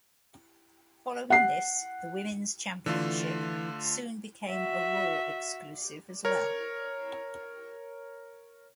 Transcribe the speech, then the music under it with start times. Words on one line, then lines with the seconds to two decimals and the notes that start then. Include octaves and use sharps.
Following this, the Women's Championship soon became a "Raw" exclusive as well.
1.30 F#5 C7
2.86 D3 E3 A3 F4
4.49 F#4 E5
6.25 A#4 C#5